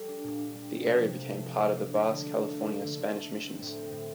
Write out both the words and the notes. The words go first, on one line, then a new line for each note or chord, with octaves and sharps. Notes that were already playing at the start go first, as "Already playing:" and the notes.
The area became part of the vast California Spanish missions.
Already playing: G3 A4
D4
A#2
D4
G3
F3
C3
F3
A3
A3
A3
A#3
D4
D4
D3
D4
A#3
A3
D3
D3
D3
A3
D3
C4
A2
C4
A2